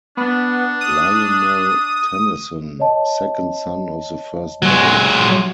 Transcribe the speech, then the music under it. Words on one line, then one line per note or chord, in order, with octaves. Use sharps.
Lionel Tennyson, second son of the first Baron.
B3 D4
D#6
C#5 D#5 A5
F#3 G#3